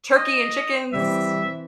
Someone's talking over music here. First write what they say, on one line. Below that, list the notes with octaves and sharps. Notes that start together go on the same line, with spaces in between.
turkey and chickens
D#5
E3 G3 C4 E5